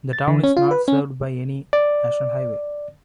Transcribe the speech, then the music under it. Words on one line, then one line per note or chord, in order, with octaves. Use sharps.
The town is not served by any national highway.
A6
D3
C#4
F4
B4
C#4
D5